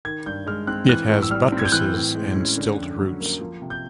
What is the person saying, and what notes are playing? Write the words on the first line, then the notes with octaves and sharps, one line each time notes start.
It has buttresses and stilt roots.
D#3 G#6
G2 G6
G#3 F6
C4 F#6
E3 F#6
A2
E6
G3 F6
C4
G#6
G6
E3 F#6
A2
G#3
C#4
D3
F2
F#3
A#3
F3
C3
G6